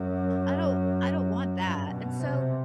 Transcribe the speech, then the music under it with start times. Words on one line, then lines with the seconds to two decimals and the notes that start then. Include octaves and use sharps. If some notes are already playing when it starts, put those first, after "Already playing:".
I don't I don't want that," and so
Already playing: F#2
1.61 G2
1.90 B2
2.20 C3